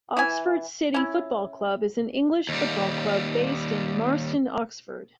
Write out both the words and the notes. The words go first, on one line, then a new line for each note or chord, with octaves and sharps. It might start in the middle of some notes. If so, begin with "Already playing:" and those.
Oxford City Football Club is an English football club based in Marston, Oxford.
E3 E5 G#5
C#4 E4
D#2 G3